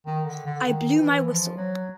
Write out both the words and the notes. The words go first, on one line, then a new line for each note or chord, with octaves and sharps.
I blew my whistle.
D#3
D3
D3
D#3
E3
F3
F#3